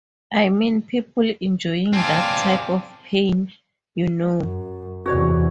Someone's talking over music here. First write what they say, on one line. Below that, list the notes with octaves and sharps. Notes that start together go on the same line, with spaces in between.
I mean ... people enjoying that type of pain, you know?
C4 D4 F5 G#5 A5
F#2
E2 C3 F#4 C#5 D5